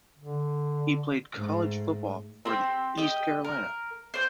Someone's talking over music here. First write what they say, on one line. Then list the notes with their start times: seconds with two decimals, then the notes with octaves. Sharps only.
He played college football for the East Carolina.
0.19 D3
1.35 G#2 A3
2.45 C4 G4
2.97 G4 D#5
3.44 A#4
4.14 C5 D5 G5